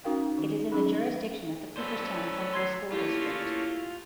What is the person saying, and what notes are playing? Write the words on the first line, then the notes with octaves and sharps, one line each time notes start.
It is in the jurisdiction of the Cooperstown Central School District.
C#4 D#4 F#4 A#4 F5 G5
D#3 D#4
F#3 C#4 D#4 G#4 B5
F#3 C#4 A4 B4 C5 D5
C6 G#6 C7
A3 A#3 C#4 E4 F4 G4